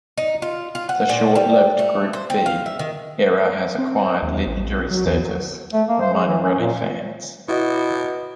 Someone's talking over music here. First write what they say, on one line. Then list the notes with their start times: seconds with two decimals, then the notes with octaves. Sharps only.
The short-lived Group B era has acquired legendary status among rally fans.
0.17 D#4
0.42 F4
0.75 F4
0.89 F#5
1.09 A#2
1.35 G3
1.79 A3
2.13 C5
2.30 C4
2.46 F5
2.66 E5
2.79 D#3
3.78 C4
4.00 C4
4.23 D#2
4.35 E2
4.47 A1
4.70 B1
4.91 F#3
5.05 E2
5.25 F#3
5.73 A3
5.89 A#3
6.00 C5
6.13 G#3
6.25 E3
6.43 C#4
6.59 A#2
7.49 B2 E4 F#4 D#5